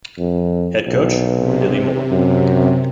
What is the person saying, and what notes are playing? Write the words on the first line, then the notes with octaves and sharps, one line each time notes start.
Head Coach: Billie Moore.
F2
B1
C3
F#2